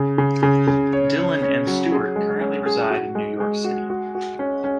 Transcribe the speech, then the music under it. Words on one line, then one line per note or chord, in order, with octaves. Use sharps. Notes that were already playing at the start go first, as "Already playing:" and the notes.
Dillon and Stuart currently reside in New York City.
Already playing: C#3
C#3
C#3
C#3
C#5
C#5
C#4
F#3
G#4
G#3
C#4
G#4
F#4
G#3
G#3
F#4
F#4
F#4
C#4
C#4